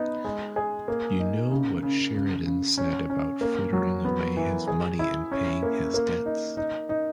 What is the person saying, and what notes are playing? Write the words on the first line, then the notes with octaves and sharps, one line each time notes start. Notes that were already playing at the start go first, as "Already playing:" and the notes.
You know what Sheridan said about frittering away his money in paying his debts.
Already playing: B3 D#4
G#3
G#4
A#3
D#4
C#3
C#3
C#3
C#3
C#4
C#4
A#3
F#3
B3
E3
G#4
E4
C#4
A#3
A#3
D#4
D#4
D#4